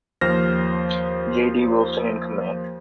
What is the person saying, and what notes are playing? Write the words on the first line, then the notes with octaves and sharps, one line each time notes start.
J. D. Wilson in command.
D#2 F3 C5 F6 A#6